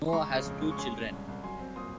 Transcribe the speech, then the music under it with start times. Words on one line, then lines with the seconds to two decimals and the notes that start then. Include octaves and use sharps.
Noah has two children.
0.08 C6
0.12 G#3 A#5 C#6
0.30 C#3
0.45 F2
0.62 G#3
0.71 C#6
0.78 C#4 G#5 C6
0.94 C#4
1.12 C2
1.28 C2
1.43 F#3 G#5 C6
1.60 C4
1.76 A#2 C6 D#6